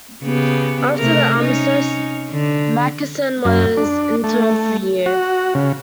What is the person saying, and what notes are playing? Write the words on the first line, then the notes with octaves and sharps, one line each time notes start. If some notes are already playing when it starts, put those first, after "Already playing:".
After the Armistice, Mackensen was interned for a year.
C#3 B3 G4
C3 A3 A#4
C#4 D#4
D3
F#2
D4
A3
F#4
C#3